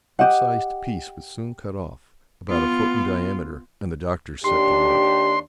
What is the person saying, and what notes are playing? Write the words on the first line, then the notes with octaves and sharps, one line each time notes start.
A good-sized piece was soon cut off, about a foot in diameter, and the Doctor set to work.
G4 D#5 F#5
B3 F4
D#2 D4 G4 C6